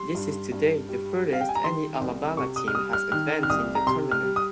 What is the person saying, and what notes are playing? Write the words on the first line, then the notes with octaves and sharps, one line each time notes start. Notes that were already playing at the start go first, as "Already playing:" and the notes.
This is to date the furthest any Alabama team has advanced in the tournament.
Already playing: G3 C6
G2
G2
G3
G3
F5
G5
G#5
A#5
D#3 C6
C2
C3 C#6
D#6
F6
G3 D#6
F6
D#3 F6
F6
C2 D#6
A#5
C3 C6
F6
G3
D#6